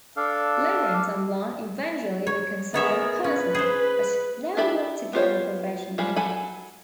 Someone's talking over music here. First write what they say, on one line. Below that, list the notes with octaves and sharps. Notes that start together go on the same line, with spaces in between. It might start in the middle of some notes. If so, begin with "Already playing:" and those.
Lawrence and Lon eventually reconciled personally, but never worked together professionally again.
D4 A4 F5
C#5
B3 G#4 A#4 C#5 E5
C#4 B4
G#4 C5
D4 E4 G4 E5 B5
B3 F4 C5 C#5
F3 G3 G#3 B5
F#3 A4 G#5 B5